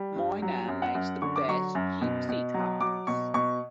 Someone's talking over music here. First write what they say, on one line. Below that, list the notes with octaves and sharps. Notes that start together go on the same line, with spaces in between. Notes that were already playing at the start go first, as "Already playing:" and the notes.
My nan makes the best Gypsy tarts.
Already playing: G3
G2
F#3
F#2
F#5
F#2
D3 C#6
D6
F#3 C#6
F#2
B2
B2
F#3
F#3 D6
B2 C#6
B2 C#6